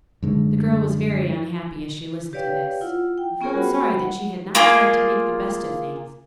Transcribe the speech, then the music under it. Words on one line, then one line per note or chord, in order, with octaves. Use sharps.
The girl was very unhappy as she listened to this, and felt sorry that she had not tried to make the best of things.
F#2 D3 G#3
G4 B4 C#5 D5 F5 G5
E4 F4 F#5
G5
B3 C#4 F4 G#4 A#4 C#5
G3 F#4 C5 F#5 B5
F#5
A#3 F4 G#4